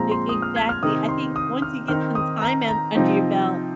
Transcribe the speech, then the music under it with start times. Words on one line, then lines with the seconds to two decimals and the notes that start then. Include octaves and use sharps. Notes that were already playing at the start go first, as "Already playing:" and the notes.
E exactly. I think, once you get some time in under your belt,
Already playing: A#2 F3 G#3 C4 A#5
0.11 C6
0.29 D#6
0.42 F6
0.56 G#6
0.69 F6
0.82 C3 D#3 C4 D#4 D#6
1.09 C6
1.36 D#6
1.62 F6
1.88 D#3 C4 D#4 F6
2.15 D#6
2.42 A#5
2.68 A#5
2.95 C3 F3 C4 D#4